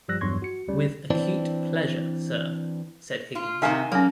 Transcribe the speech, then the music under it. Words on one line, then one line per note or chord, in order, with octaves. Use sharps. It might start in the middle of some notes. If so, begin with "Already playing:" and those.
"With acute pleasure, sir," said Higgins.
G2 F3 G3 E6 F#6 A#6
E2 G2 F#3 C6 C#6 G#6
F#4 C#7
D2 G3 C#4
E3 C4 D4
F4
C3 D#3 D#4 E5 F5 G#5
F#3 A#3 C#4